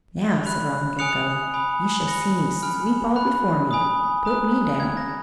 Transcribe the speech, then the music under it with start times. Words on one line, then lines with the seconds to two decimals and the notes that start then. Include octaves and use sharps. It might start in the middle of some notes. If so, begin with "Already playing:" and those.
"Now," said Robin Goodfellow, "you shall see me sweep all before me. Put me down."
0.45 B5 F#6
0.99 G#5 D#6 F#6 C#7 F7
1.54 G#5 B5 D#6
2.07 B5 F#6 A#6 C#7
2.63 G#5 B5 F6
3.16 B5 F#6
3.71 G#5 B5 D#6
4.25 A#5 D#6 F#6
4.80 A#5 G#6
4.82 F6
4.97 A#6